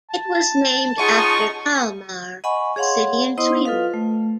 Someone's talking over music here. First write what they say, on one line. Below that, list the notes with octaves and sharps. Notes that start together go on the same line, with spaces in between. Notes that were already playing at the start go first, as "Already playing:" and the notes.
It was named after Kalmar, a city in Sweden.
A5
C#4 D#4 F4 G#4 F#5 G#5 C#6
D#5 F#5 G#5 B5 C#6
G#4 C#5 F5 F#5 C6
B3 E4 C5 D#5 C6 D#6
F4 A4 B4 F5
A3